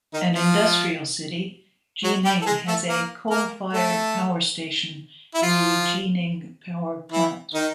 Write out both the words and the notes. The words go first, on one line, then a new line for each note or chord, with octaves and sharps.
An industrial city, Jining has a coal-fired power station, the Jining Power Plant.
D#3 D#4
F3 F4
F#3 F#4
G3 G4
A4
G#3 G#4
A3 A4
A#3 A#4
A#3 A#4
A3 A4
E4
F3 F4
E3 E4
D#3 D#4